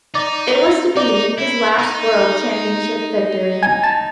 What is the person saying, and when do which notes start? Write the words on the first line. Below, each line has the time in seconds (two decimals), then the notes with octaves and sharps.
It was to be his last world championship victory.
0.14 D#4 D5
0.96 D#4 D5
1.38 E4
1.79 D#4
3.63 G#5
3.83 A5